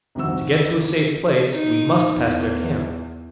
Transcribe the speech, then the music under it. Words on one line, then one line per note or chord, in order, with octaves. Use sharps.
To get to a safe place we must pass their camp.
C2 F2 D#3 F#4 E6
D#4
E2